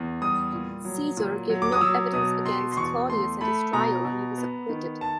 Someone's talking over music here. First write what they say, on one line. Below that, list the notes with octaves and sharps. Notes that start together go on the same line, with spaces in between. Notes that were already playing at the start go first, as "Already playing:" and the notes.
Caesar gave no evidence against Clodius at his trial, and he was acquitted.
Already playing: E2
G3 D#6
A#2
F#3
A#2
F#3
D6
D#6
F#3 E6
B2 D#6
B2 C6
C6
E2 C#6
A3 C6
A3 B5
B2 A#5
B2
B3
D#3
A5